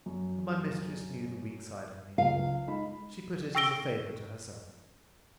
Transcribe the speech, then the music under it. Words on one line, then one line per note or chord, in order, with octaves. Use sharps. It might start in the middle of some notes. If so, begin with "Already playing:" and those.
But my mistress knew the weak side of me; she put it as a favour to herself.
F#2
F#1 C#2 F5
G#3 D#4 B5
G5 C#6 E6 A#6 D7 G7